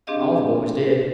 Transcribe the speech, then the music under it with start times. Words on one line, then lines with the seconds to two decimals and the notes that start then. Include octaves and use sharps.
All the boys did.
0.07 C4 D4 G4 G#4 D#5 F5